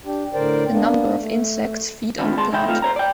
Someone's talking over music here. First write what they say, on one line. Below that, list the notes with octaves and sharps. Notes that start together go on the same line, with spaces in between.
A number of insects feed on the plant.
D4 G4
A2 D3 A#4 C5 D5 G5
A#3 B3 D4
A3
D#3 G3 B3 C4 D4 F4
C#2 G#3 A5 C6
C#3 E3 D#4 E4 E5 G5
A3 C4 D#4 F4 A4 F5
C5 C#5 A#5
D5 G5